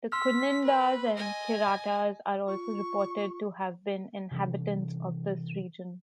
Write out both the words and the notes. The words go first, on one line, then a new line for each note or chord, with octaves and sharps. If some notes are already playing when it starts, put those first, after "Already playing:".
The Kunindas and Kiratas are also reported to have been inhabitants of this region.
C6 E6 F6 B6
B4
D#5 G#5
F4 C#6
C3 E3 C#4